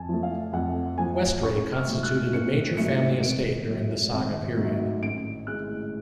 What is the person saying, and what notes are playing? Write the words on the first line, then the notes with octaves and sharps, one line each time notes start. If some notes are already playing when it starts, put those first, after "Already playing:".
Westray constituted a major family estate during the saga period.
Already playing: F2 G#5 A5
F3 A3
F5
F2 F#5
F3 A3 G#5
A1 C#6
F6
G#2 F#3 A3
F#6
A1 C#7
G#2 F#3 A3 C#7
G#1 D7
G#2 F#3 A3
G#1
G#2 F#3 A3
A1 D7
A2 G#3 F#6